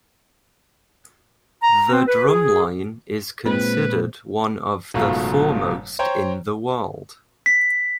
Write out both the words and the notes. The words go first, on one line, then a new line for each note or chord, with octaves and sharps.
The Drumline is considered one of the foremost in the world.
A#5
C4
B4
G#4
A#2 G#3 C4 B4
F#1 G#2 B2 A3 F4
C5 C#5 G5 A#5
B6